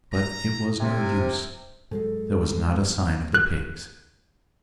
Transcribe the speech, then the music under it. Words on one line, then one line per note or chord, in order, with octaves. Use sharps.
But it was no use; there was not a sign of the pigs.
A#5
C3 A4 A#4 G#5
G#2 F#3 G#3 A4
F#6